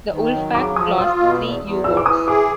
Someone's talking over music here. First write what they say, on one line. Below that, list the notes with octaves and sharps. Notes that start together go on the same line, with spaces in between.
The wolfpack lost three U-boats.
D#3
F#3
C#3 D6
F3 D#6
F4 E6
B2
E2
E2
E3 E6
D6
E3 D#6
G#4 D6